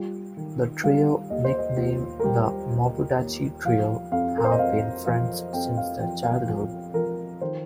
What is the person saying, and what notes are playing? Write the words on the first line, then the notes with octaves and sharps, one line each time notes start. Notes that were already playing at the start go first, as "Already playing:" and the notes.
The trio, nicknamed the Mabudachi Trio, have been friends since their childhood.
Already playing: G3 F4
D#3
G3 F5
D#2 D#5
C5
D#5
D#2 F4
A#4
G3 G4
D#2
D#2
F3 F5
F2 F5
A#4
C5
D#5
F2 F5
F3 F5
F2 G5
F5
F3 G5
F5
F3
F3 A#4
D#3 C5